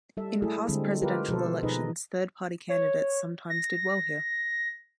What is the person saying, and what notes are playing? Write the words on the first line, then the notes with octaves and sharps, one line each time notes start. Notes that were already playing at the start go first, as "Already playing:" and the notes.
In past Presidential elections third party candidates sometimes did well here.
G3 A4 E5
A3 E4 G#4 A4
D3 G3 G#3 C4
F4 G4 A#4 B4
B2 F3 A4 C5
B2 D#4 G#4 B4 D#5
C#5
A#6